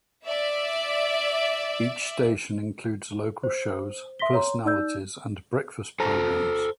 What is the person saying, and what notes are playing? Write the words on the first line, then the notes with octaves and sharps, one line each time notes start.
Each station includes local shows, personalities and breakfast programmes.
D5 E5
C5
E5 C6 A#6 B6 G7
C#5 A#5 C6
D#4 D5 E6 G6
A4 C5 A#5